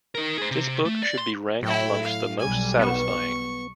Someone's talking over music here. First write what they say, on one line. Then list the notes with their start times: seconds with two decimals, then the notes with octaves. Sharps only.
This book should be ranked amongst the most satisfying.
0.15 D#4 A#4
0.38 G#4 C5
0.51 C3
0.85 A3
1.03 D5
1.17 C6
1.63 A2 F#3 E4 G5
2.01 F5
2.39 B1 G3 G#5
2.79 B3 C#6